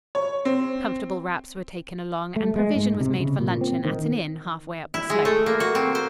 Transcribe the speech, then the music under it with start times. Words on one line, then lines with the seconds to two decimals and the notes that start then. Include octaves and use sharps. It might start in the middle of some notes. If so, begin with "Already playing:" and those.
Comfortable wraps were taken along, and provision was made for luncheon at an inn half way up the slope.
0.15 C#5
0.45 C4
2.36 A3
2.56 G#3
2.75 G#2
3.00 C3
3.20 C#3
3.39 A#2
3.61 C4
3.85 D#3
4.94 E4
5.10 G#3
5.25 A3
5.46 A#3
5.60 F#4
5.75 C4
5.95 C5